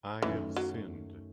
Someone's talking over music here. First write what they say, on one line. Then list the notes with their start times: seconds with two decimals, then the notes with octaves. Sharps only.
I have sinned.
0.22 F#2 D#3 E3 A3 C#4
0.56 F#3